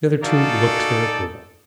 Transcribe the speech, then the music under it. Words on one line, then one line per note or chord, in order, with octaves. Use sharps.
The other two looked their approval.
D#4 F#4 G#4 A4 D5 F5